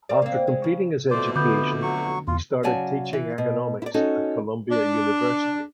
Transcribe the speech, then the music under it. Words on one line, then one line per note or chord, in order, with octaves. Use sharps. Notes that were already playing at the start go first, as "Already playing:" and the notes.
After completing his education, he started teaching economics at Columbia University.
C4 A#4 D5
A#3 C4
G#3
C#3
F2 B2 A3 C5 D5
D3 B3 D6 G6
F#3 C#6
E2 F4
C#3 F#3 D5 G#5 A5
E3
B2
E4 D5
C#4 D#4 F#4 A4
D4